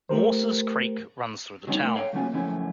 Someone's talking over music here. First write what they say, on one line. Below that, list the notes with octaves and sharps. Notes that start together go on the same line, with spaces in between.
Morses Creek runs through the town.
A3 G4 A#4 C5
F#3 G3 A#3 D4 D#4 F#4
A3 E4 A#4
A4 C#5 F5 G5 A#5
F#3 A3 A#3 C#4 F4 F#4
F#2 F3 A3 C#4 E4